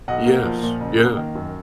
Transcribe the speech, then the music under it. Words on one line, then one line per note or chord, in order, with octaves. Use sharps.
Yes. Yeah.
B1 D#5 F#5
A#3
F3
A#2
F#1
A#3
D#3
F#2